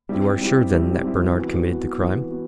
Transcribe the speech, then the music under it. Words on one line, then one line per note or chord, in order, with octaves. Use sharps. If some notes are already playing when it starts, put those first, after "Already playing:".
"You are sure, then, that Bernard committed the crime?"
G3 C4 E4 G4
G3 C4 E4 G4
G3 C4 E4 G4
G3 C4 E4 G4
E3 B3 F#4
E3 B3 F#4
E3 B3 F#4
B3 F#4